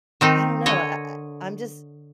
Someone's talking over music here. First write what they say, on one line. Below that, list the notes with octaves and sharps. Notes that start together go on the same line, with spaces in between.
I don't know, I I I'm just
D#3 C4 D#4
D3 C#5 D#5